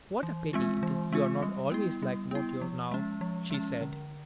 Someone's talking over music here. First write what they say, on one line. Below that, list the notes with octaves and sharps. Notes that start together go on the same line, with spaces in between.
"What a pity it is you are not always like what you are now!" she said.
E3
G#3 C4 F4
E3
G#3 C4 F4
G3
B3 E4
G3
B3 E4
F3
G#3 C#4
F3
G#3 C#4
D3